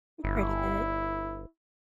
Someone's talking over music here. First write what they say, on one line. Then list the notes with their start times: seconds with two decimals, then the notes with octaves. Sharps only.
M pretty good.
0.24 G1 E4